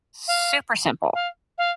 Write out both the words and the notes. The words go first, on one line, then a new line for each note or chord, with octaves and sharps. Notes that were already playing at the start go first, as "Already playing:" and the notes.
super simple.
F5
F5
F5